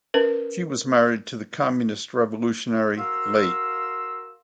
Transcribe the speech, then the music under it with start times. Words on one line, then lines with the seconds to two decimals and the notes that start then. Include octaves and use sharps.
She was married to the communist revolutionary Late.
0.14 C#4 A#4 B4
2.98 F#4 A#4 F5 C6 E6